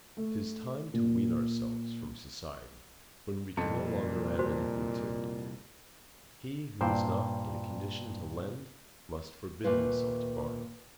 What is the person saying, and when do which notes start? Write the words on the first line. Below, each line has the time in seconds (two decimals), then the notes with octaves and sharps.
'Tis time to wean ourselves from society when we can no longer add anything to it; he who is not in a condition to lend must forbid himself to borrow.
0.17 A3
0.94 A#2
3.57 C2 F2 A#2 A5 C#7
4.39 F#4 C5
6.81 G2 A#2 C5 G5
9.64 D#2 A#2 A3 F4 B4